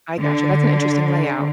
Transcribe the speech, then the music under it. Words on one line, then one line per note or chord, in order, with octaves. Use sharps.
I gotcha. That's an interesting layout.
D3